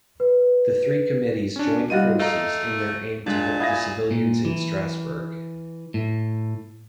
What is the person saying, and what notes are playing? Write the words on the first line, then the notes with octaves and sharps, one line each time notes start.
The three committees joined forces in their aim to help the civilians in Strassburg.
B4
C#4 D4
G3 D#4 F4 F#4 D#7
A3 D#5 F5 A#5
A#2 G#3 D4
E4 F5 G#5 D#6 G#6 A#6
A#2
E3
A2